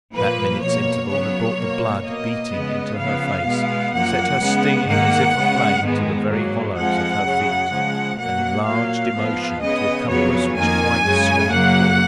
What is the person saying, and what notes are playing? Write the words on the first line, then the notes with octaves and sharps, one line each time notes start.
That minute's interval had brought the blood beating into her face, set her stinging as if aflame to the very hollows of her feet, and enlarged emotion to a compass which quite swamped thought.
A#2 F3 A#3 B4
B2 A#3 C#5
C#3 F#3 B3 C#5
B2 A#3
B2 A#3 D#5
C#3 G#3 B3
C#3 F3 B3 F5
B2 G#3 B3
F#2 F3 A#3 F#5
C#3 G#3 B3
G#2 D#3 A#3 F#5
C#3 G#3 B3
G#2 D#3 G#3 B3
G#2 F#3 A#3
F2 F3 G#3 F#5
F#2 C#3 F#3
C#3 F3 G#3
B2 F#3 A#3 F#5
A#2 F#3 A#3 F5
G#2 F3 B3
C#3 G#3 B3 D#5
F2 C#3 F#3 B3 C#5
F2 D#3 A#3 G#5
F#2 C#3 G#3
F#2 C#3 F#3 A#3 F#5